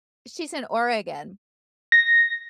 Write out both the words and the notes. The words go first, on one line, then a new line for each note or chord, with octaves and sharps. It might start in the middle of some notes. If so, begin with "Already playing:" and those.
She's in Oregon.
A#6